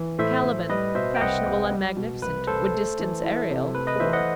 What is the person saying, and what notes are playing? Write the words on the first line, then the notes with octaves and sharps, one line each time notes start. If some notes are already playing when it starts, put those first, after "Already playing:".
Caliban, fashionable and magnificent, would distance Ariel, poor.
Already playing: E3
A2 C5 E5
A2
G3 B4 D#5
B2 C5 E5
G5
C2 D#5 F#5
C2
G3
B2
C2 B4
C2 A4 C5
A3
E3
E4
C3
A3 B4
B4 D#5
E3 C5 E5
D#5 F#5